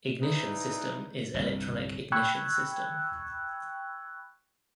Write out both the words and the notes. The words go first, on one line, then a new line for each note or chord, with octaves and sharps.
Ignition system is electronic ignition system.
D#4 E4 G#4 B4 D5
G1 C2
G5 B5 C#6 E6 F#6 G#6